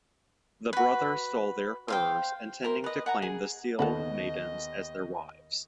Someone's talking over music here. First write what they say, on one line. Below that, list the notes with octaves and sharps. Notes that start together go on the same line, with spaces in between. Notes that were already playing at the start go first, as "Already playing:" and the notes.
The brothers stole their furs, intending to claim the seal-maidens as their wives.
F#4 B4
C5 F5 G5
E4 A#4 C5
B4 D#5
F#5 G#5 A#5
G#4
D#2 B3 A4 D#5 F#5 B5